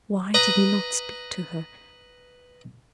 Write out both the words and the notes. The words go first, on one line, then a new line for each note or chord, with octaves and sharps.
Why did he not speak to her?
B4 D#5 A#5